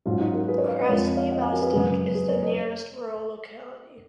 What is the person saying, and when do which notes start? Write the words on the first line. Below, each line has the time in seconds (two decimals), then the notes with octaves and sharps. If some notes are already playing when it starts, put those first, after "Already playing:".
Krasny Vostok is the nearest rural locality.
0.05 G#2 F#3 C#4 F4
0.20 D#4 F#4
0.34 F#4 A#4
0.48 G#4 B4
0.58 A#4 C#5
0.69 C#5 F5
0.79 B4 D#5
0.89 F2 F3 G#3 A#4 C#5
1.17 C#5 F5
1.31 D#5 F#5
1.42 F5 G#5
1.52 F#4 A#4
1.62 G#4 B4
1.73 F#2 C#3 G#3 G#4 B4
2.15 G#4 B4
2.28 A#4 C#5
2.43 B4 D#5